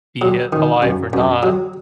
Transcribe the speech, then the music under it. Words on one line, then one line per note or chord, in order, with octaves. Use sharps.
be it alive or not,
F#3
D#3
F#2
F#2
F#3